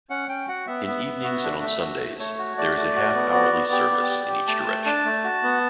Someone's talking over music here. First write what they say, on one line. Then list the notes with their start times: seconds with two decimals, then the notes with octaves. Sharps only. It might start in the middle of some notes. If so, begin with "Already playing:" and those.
In evenings and on Sundays there is a half-hourly service in each direction.
0.10 C#4 F#5
0.29 C#4 G5
0.48 F#4 F#5
0.67 B3 E5
0.86 B3
1.05 B3
1.24 F#4
1.43 D4
1.62 A3
1.81 F#4
2.00 A3
2.19 A3 C#5
2.38 F#4
2.57 A3 D5
2.76 A3
2.95 F#4
3.15 B3
3.34 F#4
3.53 B3
3.71 G4
3.91 B3
4.09 G4
4.28 G4
4.47 A3 A5
4.67 A3
4.86 D4 A5
5.05 A3
5.24 F#4
5.43 B3